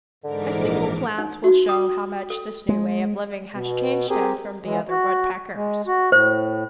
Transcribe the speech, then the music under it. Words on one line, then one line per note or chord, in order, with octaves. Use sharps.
A single glance will show how much this new way of living has changed him from the other woodpeckers.
G#2 D3 E3 A#4 D6
A#1
D#4
F#4
D#6
A4
G#3
B2
C4 G4 G#4 A#4
E3 G#3
F#4
G#3
F#4
A2 C5